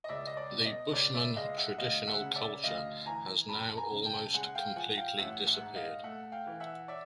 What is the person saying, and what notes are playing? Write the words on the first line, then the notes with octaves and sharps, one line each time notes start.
The Bushmen traditional culture has now almost completely disappeared.
D#5
C#2 D5 E5
D#5
D5
B2
D5
D#5
C#2 D5
D5 E5
G#3 D#5 F5
E5 F#5
D2 D#5 F5
E5 F#5
C#3
D5 E5
D2 D#5 F5
E3 G#5 A#5
F#2 A5 B5
G#5 A#5
C#3
G5 A5
G#3 F#5 G#5
F5 G5
F3 F#5 G#5
F5 G5
A1 E5 F#5
E5 F#5
G#2
D#5 F5
A3 E5 F#5
F5 G5
E3
E5 F#5
D5 E5